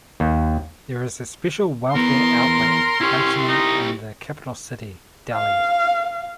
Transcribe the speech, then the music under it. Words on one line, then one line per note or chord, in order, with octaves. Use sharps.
There is a special welfare outlet functioning in the capital city, Delhi.
D#2
E2 B3 A#4 C6
C#4 E4 G4
D#4
F5